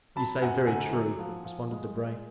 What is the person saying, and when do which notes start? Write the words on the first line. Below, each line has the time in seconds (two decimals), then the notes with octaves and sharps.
"You say very true," responded Debray.
0.16 F#3 A5 B5
0.42 F#2 F#5 G#5
0.67 D3 F#5 G#5
0.93 F#3
1.19 F3
1.44 F3
1.71 G#3
1.96 G#3